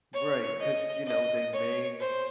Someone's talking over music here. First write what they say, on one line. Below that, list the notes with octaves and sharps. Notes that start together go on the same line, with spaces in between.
Right, 'cause, you know, they may
C#5
D#5
D#5
C#5
C5